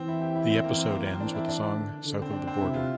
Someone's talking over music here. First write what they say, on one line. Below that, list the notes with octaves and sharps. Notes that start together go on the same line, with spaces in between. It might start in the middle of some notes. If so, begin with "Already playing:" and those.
The episode ends with the song "South of the Border".
Already playing: E3 C4
E4
G4
E4
C4
E3 A#3
C4
E3 A#3
C4
E3 D4
E4
D4
D3
D3
C4
D4
C4
C3 E4
F4